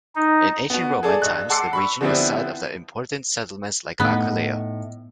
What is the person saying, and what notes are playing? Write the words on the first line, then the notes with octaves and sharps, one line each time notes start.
In Ancient Roman times the region was the site of important settlements like Aquileia.
D#4
B3 F#4
G#4 A4 D5
G2 D#5 F#6
F#5 A5 C6 D6 E6 C7
B5 C#6 E6
D3 F3 G3 B3 C4 E4
A2 B3 D#4